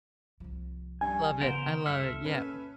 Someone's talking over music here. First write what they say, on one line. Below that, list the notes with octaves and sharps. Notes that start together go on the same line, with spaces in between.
Love it. I love it. Yeah.
C2 F3
G2 G3 G#5
C#3 E3 B3 A#4 C5
C#2 F#2 A4 E5 F6
A#2 C#4 B4